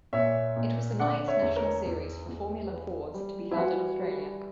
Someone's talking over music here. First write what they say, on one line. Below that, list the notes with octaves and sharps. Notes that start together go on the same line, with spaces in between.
It was the ninth national series for Formula Fords to be held in Australia.
A#2 C#5 E5
A#2
D3 D5 F#5
C#5 E5
E2
A#4 C#5
E2
E2
E3
G3
E4
E3 F#4
G3